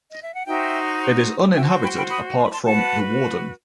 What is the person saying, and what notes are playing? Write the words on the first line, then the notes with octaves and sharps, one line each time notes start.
It is uninhabited apart from the warden.
D#5
E5
F#5
D#4 F#4 C5 E5 G5
F#4 C5 E5 G5
F#5 A5
G5 B5
G5 B5
B5 D#6
C6
B5
A5 C6
F#4 B4 F#5 A5